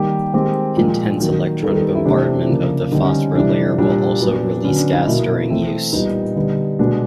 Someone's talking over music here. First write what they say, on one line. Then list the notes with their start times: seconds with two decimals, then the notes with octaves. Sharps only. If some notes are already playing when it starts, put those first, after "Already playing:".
Intense electron bombardment of the phosphor layer will also release gas during use.
Already playing: D#3 G3 A#3 G4
0.34 D#3 G#3 C4 G4
0.77 A#2 F3 G#3
1.20 D#3 F#3 A#3
1.63 D#3 G3 B3 A4
1.74 A4
1.95 E4
2.06 C3 E3 A3 C4 D4
2.49 C#3 F3 A#3
2.92 D3 G3 C4 D#4
3.03 C#4
3.35 C3 E3 G3 D4
3.78 A#2 G3 A#3 D4
4.21 A#2 F#3 B3
4.64 D3 F#3 B3 C#4
4.78 D4
4.93 D#4
5.07 B2 F#3 A#3 E4
5.50 E3 A3 C4
5.93 A#2 G3 B3 D#4
6.36 D3 G3 B3
6.79 B2 G#3 B3 D4